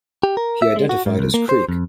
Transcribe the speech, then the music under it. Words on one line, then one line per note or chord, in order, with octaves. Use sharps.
He identified as Creek.
G4
A#4
E5
G#3
F#4
G#2
C2
A#3
C5
F2